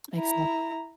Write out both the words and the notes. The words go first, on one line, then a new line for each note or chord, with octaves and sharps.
Makes sen
E4 A#5